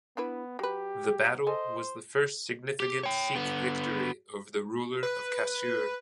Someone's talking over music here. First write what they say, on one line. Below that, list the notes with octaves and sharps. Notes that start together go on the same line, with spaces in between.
The battle was the first significant Sikh victory over the ruler of Kasur.
B3 D4 E4 B4
F#3 G4 B4
A4 C5 D#5 G#5
G4
C#5 G5
D3 B3
B4